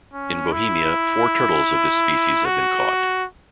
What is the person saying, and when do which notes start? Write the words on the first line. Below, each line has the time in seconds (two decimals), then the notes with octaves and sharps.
In Bohemia, four turtles of this species have been caught.
0.13 C#4
0.52 E4
2.45 F#4